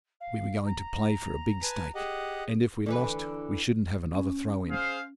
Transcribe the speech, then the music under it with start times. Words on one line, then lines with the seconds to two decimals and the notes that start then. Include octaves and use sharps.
We were going to play for a big stake, and if we lost we shouldn't have another throw in.
0.20 F5
0.65 A#5
1.63 B4 G#5 A5
1.95 G4 G#4 D#5 F#5
2.86 D3 E3 B4
4.15 C#4
4.70 G#4 C5 F5